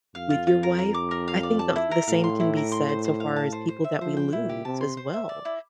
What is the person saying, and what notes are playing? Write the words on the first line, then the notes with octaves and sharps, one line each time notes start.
with your wife. I think the the same can be said so far as people that we lose as well.
F2 F5
F4
F4
A#4
A#5
D6
A#4
F5
D5
A5
E4
A#4
A2 F5
C6
E4
A#4
C6
C5
C5
F5
A5
C5
C5
E5
F3 C5
G5
A#2 E4
G4
C3 A5
C6
C5
E5
D5
E4